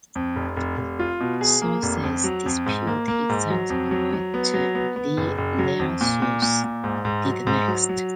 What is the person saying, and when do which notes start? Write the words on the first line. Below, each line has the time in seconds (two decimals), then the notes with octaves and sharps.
Sources dispute exactly what Lij Iyasu's did next.
0.15 F2
0.36 F1
0.56 F1
0.78 F1
0.99 F4
1.20 B2
1.41 G#4
1.62 A#3
1.83 F1
2.03 F2
2.24 F#3
2.46 F2
2.66 G#2
2.87 A#3
3.08 A#3
3.29 G#2
3.50 F#3
3.70 F2
3.91 F#3
4.13 F#3
4.34 B3
4.54 F#3
4.75 B3
4.96 B3
5.17 F#1
5.38 F#1
5.58 F#3
5.79 F2
6.01 A#2
6.22 A#2
6.42 A#2
6.64 A#2
6.84 G#2
7.05 G#2
7.25 F#3
7.47 G#2
7.68 F#3
7.89 F#3